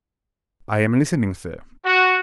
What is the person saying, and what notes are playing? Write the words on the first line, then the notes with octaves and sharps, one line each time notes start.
"I am listening, sir."
F#4